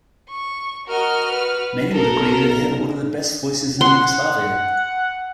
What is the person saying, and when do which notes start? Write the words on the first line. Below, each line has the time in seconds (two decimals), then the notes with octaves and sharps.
Many would agree that he had one of the best voices in Yugoslavia.
0.29 C#6
0.87 F#4 A#4 D#5 F6
1.28 B4
1.92 B1 A4 A#4
3.81 F#5 C6